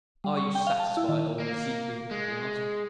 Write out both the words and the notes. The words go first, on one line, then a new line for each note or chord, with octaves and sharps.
"Are you satisfied, old Ezekiel?" he asked.
G3
C#6
G5
F5
A5
E4
D#3
A#3
G#3